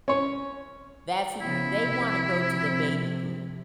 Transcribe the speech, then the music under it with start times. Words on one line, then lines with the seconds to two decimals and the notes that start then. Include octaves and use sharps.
that's who they wanna go to the baby group.
0.08 C#4 C#5
1.41 C#3 F3 B3 E4
1.79 C3 F3